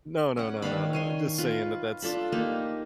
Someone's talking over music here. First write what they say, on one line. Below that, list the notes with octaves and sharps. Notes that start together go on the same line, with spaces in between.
No, no, no, no, no, just saying that that's
C#4 F#5
D#3 D4 F5 B5
C#5 G#5 C6
F4 B4
D4 F4 A4 B5
A#3 D#4 G4